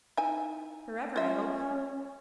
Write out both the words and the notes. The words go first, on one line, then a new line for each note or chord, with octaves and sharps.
Forever, I hope.
D#4 E4 G#5
C#4 F4 E5